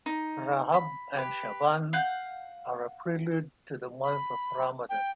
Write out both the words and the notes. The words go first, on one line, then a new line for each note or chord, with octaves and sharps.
Rajab and Sha'ban are a prelude to the month of Ramadan.
D#4
B5
G4 B4
F5 F#5 G6
B5
G5